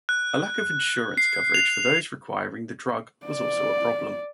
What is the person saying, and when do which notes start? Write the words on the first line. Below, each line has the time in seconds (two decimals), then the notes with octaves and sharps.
A lack of insurance coverage for those requiring the drug was also a problem.
0.09 F#6
1.17 C7
1.54 F7
3.26 D5